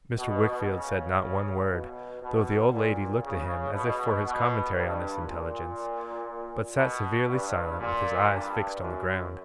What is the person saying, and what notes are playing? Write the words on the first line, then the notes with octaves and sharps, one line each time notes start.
Mr. Wickfield said not one word, though the old lady looked to him as if for his commentary on this intelligence; but sat severely silent, with his eyes fixed on the ground.
B2
C#3
B2
B2
A#2
C#3
B2
B2
G2
A#2
B2
G2
A#2
G2
F#2